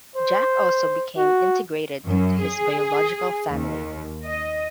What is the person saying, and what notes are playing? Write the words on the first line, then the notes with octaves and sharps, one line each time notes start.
Jack also became integrated into his biological family.
C5
F#4
F#2
G#4
D#2
D#5